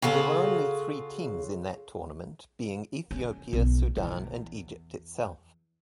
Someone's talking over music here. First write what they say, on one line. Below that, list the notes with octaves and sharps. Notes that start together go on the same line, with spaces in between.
There were only three teams in that tournament, being Ethiopia, Sudan, and Egypt itself.
C#3 F4 F#4 A4
C#4
B1
E2